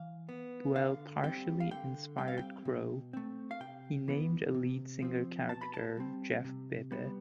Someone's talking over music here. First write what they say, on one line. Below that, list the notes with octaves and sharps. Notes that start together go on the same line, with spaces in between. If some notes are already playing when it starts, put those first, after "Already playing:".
Buell partially inspired Crowe; he named a lead singer character Jeff Bebe.
Already playing: E3 F5
B3
D3 F5
G3 C4 G5
F5
D3 G5
G3 C4 G5
F5
G5
B2
A3 C4
F5
C3 G5
E3 B3
C3
F3 C4
B2 A5
B5
A5
G3 C4
C3
G3 B3